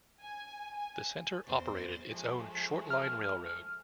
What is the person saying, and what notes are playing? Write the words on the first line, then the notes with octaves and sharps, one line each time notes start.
The center operated its own short-line railroad.
G#5
G#5
E2 C5 A6
F3 G#3 A3
F6